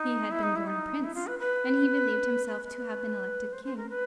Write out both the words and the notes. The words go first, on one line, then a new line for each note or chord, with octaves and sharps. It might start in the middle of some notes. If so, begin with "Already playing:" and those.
He had been born a Prince, and he believed himself to have been elected King.
Already playing: D#4
E4
D#4
E4
D#4
E4
F4
B4
B4
B4
B4
C5
C5
A#4
B4